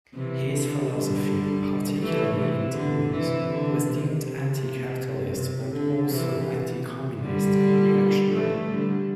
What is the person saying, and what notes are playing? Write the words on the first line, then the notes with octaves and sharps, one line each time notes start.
His philosophy, particularly in "Demons", was deemed anti-capitalist but also anti-Communist and reactionary.
C3 E3
D3
D3 G3
E3 A3
C3 E3
D3
C3 E3
D3
C3
C3
C3
D3
C3 E3
D3 G3
E3 A3
D3 G3